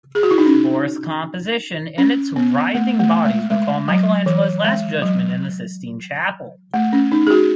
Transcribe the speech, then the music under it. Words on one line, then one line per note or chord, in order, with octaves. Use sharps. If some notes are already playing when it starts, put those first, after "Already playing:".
Floris composition and its writhing bodies recall Michelangelo’s Last Judgement in the Sistine Chapel.
G#4
F#4
E4
D#4
C#4
C#4
B3
A3
A3
G#3
G#3
F#3
E3
G#3
F#3
A3
C#4
D#4
G#4
F#4